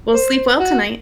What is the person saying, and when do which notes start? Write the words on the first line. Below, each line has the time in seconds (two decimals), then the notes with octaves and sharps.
Well, sleep well tonight.
0.13 C5
0.59 F#4